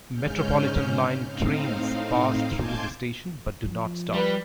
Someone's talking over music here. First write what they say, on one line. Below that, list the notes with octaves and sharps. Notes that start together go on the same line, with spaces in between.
Metropolitan line trains pass through the station, but do not stop.
G#2 C#3 C#4 F6 G6
A2 C4 D#4 F5
G#5 A5 C6 D6 G6 G#6
F3
G3 B4